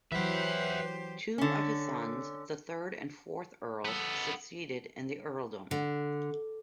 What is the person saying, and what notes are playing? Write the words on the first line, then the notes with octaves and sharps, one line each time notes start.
Two of his sons, the third and fourth Earls, succeeded in the earldom.
E3 F#3 G4 B4 C5 E5 F#5
D3 C#4
B3 A4
D3